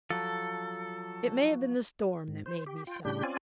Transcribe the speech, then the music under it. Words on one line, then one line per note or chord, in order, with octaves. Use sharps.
It may have been the storm that made me so.
F3 F#3 A4
G#2
C5
G4
F4 G5
A2 C#3 G3 D4 G4 G6
C4 C#4 F4 D5 G#5